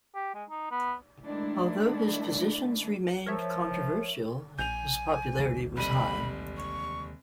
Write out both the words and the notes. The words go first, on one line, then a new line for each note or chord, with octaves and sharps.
Although his positions remained controversial, his popularity was high.
G4
G#3
D#4
B3
D#3 G#3 A3 D4 E4
F3 A#4 C#5 E5
A#1 G#5 G6 F7
D#2 D3 G#3
F1 G3 B5 D#7
C#6